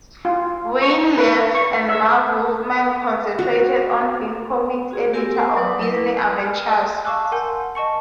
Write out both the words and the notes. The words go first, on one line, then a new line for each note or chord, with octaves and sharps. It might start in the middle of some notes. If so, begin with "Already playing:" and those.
Wein left and Marv Wolfman concentrated on being comics editor of "Disney Adventures".
F4
C#6
B4
C#6
E5
F#4
F#4 G#4
B3 G4 A#4 G#5 C6 E6
C5
F#3 B4 D5 F#5 D6 D#6
E4 A#4 B4
G#5 F6
D#5
F5 A5 C#6 D6 E6 F#6
A#4 F#5 G#5 C6 G6
D#5 A5 C#6 C#7